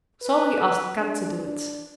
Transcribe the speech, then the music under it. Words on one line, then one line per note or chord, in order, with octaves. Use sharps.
So he asked Kat to do it.
B4
D4
D4